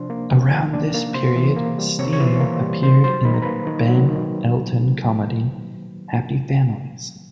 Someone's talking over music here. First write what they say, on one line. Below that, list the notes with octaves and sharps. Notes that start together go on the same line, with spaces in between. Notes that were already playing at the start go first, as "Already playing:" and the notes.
Around this period Steen appeared in the Ben Elton comedy "Happy Families".
Already playing: C3 F3 D4 C5 C6
A#3
C3
F3
D4
A#3
C3 C5 C6
E3
A#3
G3
C3 C#5 C#6
C#5 C#6
E3
C5 C6
A#3
G3
D#3 C5 C6
F#3 C5 C6
D#3 B5
A#5
A#3 B4 B5
D#3
F#3
D#3